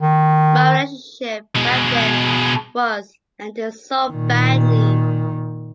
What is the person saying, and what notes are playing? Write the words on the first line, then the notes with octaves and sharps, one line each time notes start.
My relationship back then was ended so badly.
D#3
B2 G#3
A#2 D#3